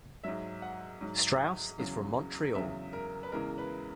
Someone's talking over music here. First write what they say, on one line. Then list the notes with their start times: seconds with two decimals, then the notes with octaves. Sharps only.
Straus is from Montreal.
0.23 G#2 F#3 E5
0.62 F#5
1.01 G#2 F#3
1.79 E2 C#3 F#3
2.55 E2 C#3 F#3 E5
2.93 A#4
3.23 B4
3.32 E2 C#3 E3 G#3 A#4
3.58 B4